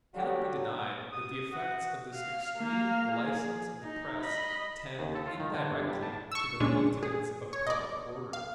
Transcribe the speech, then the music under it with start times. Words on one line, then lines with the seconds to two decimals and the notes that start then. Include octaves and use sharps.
It cannot be denied that the effects of this extreme license of the press tend indirectly to the maintenance of public order.
0.14 D3 F#3 G3 C#4 F#4 G4
1.12 D#6
1.53 F#4 F#5
2.14 F5
2.57 A#3 F5
3.12 G#4
3.82 D#4
4.21 D#5 B5
4.99 D#2
5.15 A4
5.27 F4
5.40 D#3
5.54 D3
5.71 G1
5.88 G3
6.03 A5
6.32 C#6 E6
6.60 A#2 G#3 C#4 D4
7.03 G#4
7.53 C#5
7.67 D5 D#5
8.33 F5